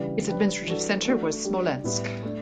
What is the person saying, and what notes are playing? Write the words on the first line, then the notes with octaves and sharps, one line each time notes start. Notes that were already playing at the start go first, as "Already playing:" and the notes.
Its administrative centre was Smolensk.
Already playing: C#3 E3 G3 D4
G3 D4 G4 B4
E3 G3 D4 F#4 A4
A3 D4 F#4
G3 D4 G4
A2 G3 B3 E4
A3 D4